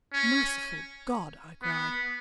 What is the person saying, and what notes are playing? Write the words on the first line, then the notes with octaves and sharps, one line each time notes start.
"Merciful God!" I cried.
C#4
B3